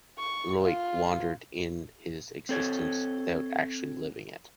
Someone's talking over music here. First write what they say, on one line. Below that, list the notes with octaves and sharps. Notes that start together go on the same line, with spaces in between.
Loïc wandered in his existence without actually living it.
C#6
F4
C4 A4 C#5